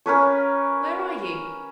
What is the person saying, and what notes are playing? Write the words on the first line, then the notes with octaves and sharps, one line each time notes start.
"Where are you?"
C#4 A#4 B4 C#5